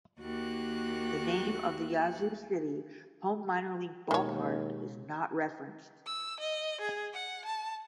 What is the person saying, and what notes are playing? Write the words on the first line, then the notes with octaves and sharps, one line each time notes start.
The name of the Yazoo City home minor league ballpark is not referenced.
D#2 A#3 F#4 G4 F#6
D#2 B2 D#3 G#3 C#5
E6
D#5
G#4
F#5
A5